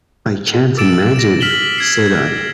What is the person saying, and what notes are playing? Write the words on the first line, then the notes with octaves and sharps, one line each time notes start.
"I can't imagine," said I.
D6 E6 A6 D7 E7
A#6 E7
F6 B6 E7 F#7 G7
G#6 C7